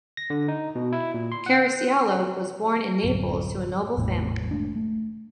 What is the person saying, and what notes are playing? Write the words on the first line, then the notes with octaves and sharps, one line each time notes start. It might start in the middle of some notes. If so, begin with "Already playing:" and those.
Caracciolo was born in Naples to a noble family.
A#6
D3
D#4
B2
E4
A#2
C6
F#5
D1 F#2
G#1 E2 A2 C3
F1 G#3 A3 D4
A3